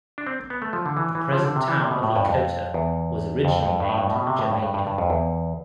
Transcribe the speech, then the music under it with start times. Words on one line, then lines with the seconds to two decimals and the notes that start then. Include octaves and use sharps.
The present town of Lakota was originally named Germania.
0.18 D4
0.27 C4
0.50 B3
0.62 A3
0.73 F3
0.86 D3
0.97 E3
1.15 E3
1.32 F3
1.45 D3
1.56 C3
1.68 E3
1.80 C3
1.91 B2
2.03 A2
2.16 G2
2.27 F2
2.74 E2
3.45 F2
3.63 F2
3.80 G2
3.89 A2
3.98 G2
4.07 A2
4.16 B2
4.27 C3
4.39 A2
4.50 G2
4.63 G2
4.74 G2
4.87 G2
4.98 F2
5.10 E2